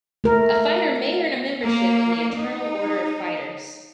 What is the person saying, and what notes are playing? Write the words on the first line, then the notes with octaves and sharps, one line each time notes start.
A fighter may earn a membership in the Eternal Order of Fighters.
A3 A#4
A#3
D#4